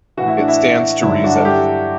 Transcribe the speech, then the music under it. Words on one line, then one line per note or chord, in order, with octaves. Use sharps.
It stands to reason.
A2 E3 F#4
E4
D4
E4
G2 D3 F#3 E4
D4 F#4
A4
E4 G4